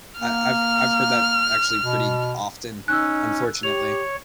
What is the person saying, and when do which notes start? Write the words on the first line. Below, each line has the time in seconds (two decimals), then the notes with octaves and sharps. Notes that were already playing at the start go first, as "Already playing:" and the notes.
I I've I've heard that actually pretty d often, unfortunately.
0.21 A#3 F6
1.82 B2
2.88 C#4 D#4 E6 F#6
3.63 G4 C#5 F7